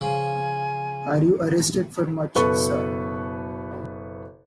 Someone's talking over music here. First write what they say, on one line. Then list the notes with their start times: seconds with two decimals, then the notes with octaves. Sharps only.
Are you arrested for much, sir?
0.01 C#3 F3 G#5
2.35 F#1 B2 A4 B4 C#6